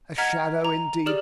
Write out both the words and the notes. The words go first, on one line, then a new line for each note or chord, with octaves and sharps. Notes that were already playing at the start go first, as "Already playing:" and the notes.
A shadow indeed!
D#5 F#5 A#5 F6 G#6 B6
A#5
G4 G#4 D5 F6 F#7